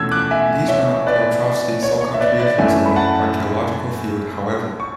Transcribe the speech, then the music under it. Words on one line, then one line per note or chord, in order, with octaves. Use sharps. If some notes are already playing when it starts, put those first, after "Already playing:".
These were not Piotrovsky's sole contributions in the archaeological field, however.
Already playing: E2 B2 A3 C#4 E6 G#6
D6 F#6
E5 G#5
C#5 E5
B4 D5
C#5
C#5
E5
B4 D5
B4 D5
F#2 E3 A3 C#4 E5 G#5
B5
F#5 A5
C#6